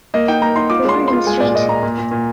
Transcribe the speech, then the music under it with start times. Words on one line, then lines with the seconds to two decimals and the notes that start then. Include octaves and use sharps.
Born in St.
0.14 A#3 D#5
0.28 D#4 G5
0.42 A#3 A#5
0.56 D#4 C6
0.70 F4 D6
0.84 G#3 C6
0.98 F4
1.08 C6
1.13 F4
1.26 G#3 G#5
1.40 A#2 D5
1.55 A#2 D#5
1.69 A#2 A#5
1.83 A#2
1.98 A#2
2.11 A#2